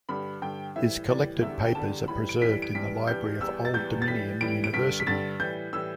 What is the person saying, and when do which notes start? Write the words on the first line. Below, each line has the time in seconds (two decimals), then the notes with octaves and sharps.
His collected papers are preserved in the library of Old Dominion University.
0.09 G2 D3 G3 B5
0.42 G2 D3 G3 G5
0.76 A2 E3 G3 E5
1.09 A2 E3 G3 D5
1.41 E2 D3 G3 E5
1.65 G5
1.75 E2 D3 G3 A5
2.08 A2 E3 G3 B5
2.29 D7
2.41 A2 E3 G3 B6
2.62 D7
2.75 G2 E3 G3 B6
3.07 G2 E3 G3 G6
3.40 E2 E3 G3 E6
3.65 A6
3.74 E2 E3 G3 G6
4.02 A6
4.07 A2 E3 G3 B6
4.41 A2 E3 G3 D7
4.64 D7
4.73 G2 D3 G3 B6
5.00 B6
5.07 G2 D3 G3 A6
5.39 A2 E3 G3 G6
5.73 A2 E3 G3 E6